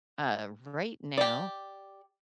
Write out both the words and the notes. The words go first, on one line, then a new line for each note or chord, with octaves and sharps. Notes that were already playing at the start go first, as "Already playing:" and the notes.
Uh, right now
G4 D5